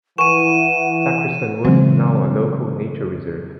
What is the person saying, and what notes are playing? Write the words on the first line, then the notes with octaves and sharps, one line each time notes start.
Sacriston Wood is now a local nature reserve.
E3 B4 F#5 G#5 C#6 D#7 E7
C#3 E3 F#3 G#3 C4 C5